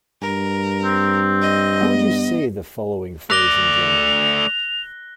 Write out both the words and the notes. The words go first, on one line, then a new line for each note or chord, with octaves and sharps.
How would you say the following phrase in German?
G2 A#4
C4
D#5
B3
A3 D5 F#6 A#6 F7 G7